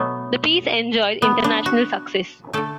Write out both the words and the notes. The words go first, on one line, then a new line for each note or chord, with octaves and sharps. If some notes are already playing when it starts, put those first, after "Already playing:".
The piece enjoyed international success.
Already playing: B2 F#3 A3 B3
B3
D4
F#4
D3 A3 A4